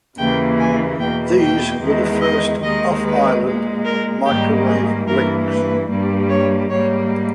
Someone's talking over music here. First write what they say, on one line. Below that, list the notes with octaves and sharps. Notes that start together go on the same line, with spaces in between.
These were the first off-island microwave links.
D#2 C#3 E3 A#3 G5
G#5
E2 B2 A#3 G5
G5
E2 D#3 G#3
D#5
D#2 D#3 G#3 D#5
B4
A#2 G#3
A#4
G#2 D#3 G3 A#3 G4
G#4
G2 E3 A#3 A#4
B4
G2 G3 A#3
C#5
G#2 G3 A#3 C#5